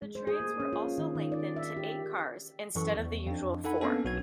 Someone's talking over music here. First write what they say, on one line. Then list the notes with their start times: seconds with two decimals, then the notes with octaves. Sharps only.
The trains were also lengthened to eight cars instead of the usual four.
0.02 G#3
0.15 C5
0.27 G#4
0.40 A#3
0.60 C#4
0.73 F4
0.98 D#3
1.15 D#3
1.32 D5
1.56 E5
1.77 G4
2.75 F#2 E3 A4 C#6
2.96 E2
3.26 F2 D4
3.64 D#4 A4 F#5 G#5 B5
3.81 A#3 B3 C#4 D4 A4
4.05 B1 F#4 G#6